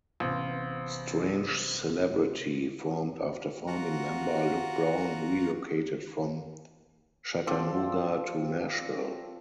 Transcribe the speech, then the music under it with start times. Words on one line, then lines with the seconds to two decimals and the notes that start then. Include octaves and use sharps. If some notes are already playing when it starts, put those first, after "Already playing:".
Strange Celebrity formed after founding member Luke Brown relocated from Chattanooga to Nashville.
0.20 A1 C3 B3 C5 F5
3.67 F4 F#4 F#5 A#5
7.47 F3 C4 A4 D5